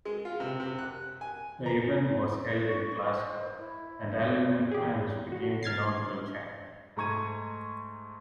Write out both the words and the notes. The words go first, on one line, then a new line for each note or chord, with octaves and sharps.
The event was held in Glasgow and Alan McManus became the inaugural champion.
G#3
F4
C3
C3
F#6
G#5
A#5
C#6
C5
E4
G4 G#4
F#4
F6 G#6 A6 C7
G#2 A3 A#5 C#6 G#6 D#7